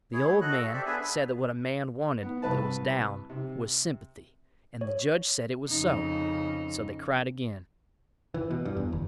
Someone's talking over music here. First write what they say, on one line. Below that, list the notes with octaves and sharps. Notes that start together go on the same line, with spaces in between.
The old man said that what a man wanted that was down was sympathy, and the judge said it was so; so they cried again.
E4 G#4 C#5
A3 C#5
F#4 A4 D#5 F#6
A4
G4 A4 C5 D5 E5
B3 D4 G#4 B4 E5 G#5
B3
C2 B4 A5
C3
C#5
F2 C#3 D#4
E3
B2
G2
E2
G1